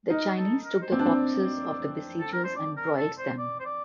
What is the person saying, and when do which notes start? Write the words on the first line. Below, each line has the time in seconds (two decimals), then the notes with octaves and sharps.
The Chinese took the corpses of the besiegers and broiled them.
0.10 D#4 A#4
0.38 A4
0.65 A#4
0.82 C5
0.92 C4 D5
0.99 D4
1.06 C4
2.20 A4
2.32 A#4
2.44 C5
2.56 D5
2.77 A#4
2.97 A4
3.18 C5
3.38 D5
3.60 C5
3.65 D5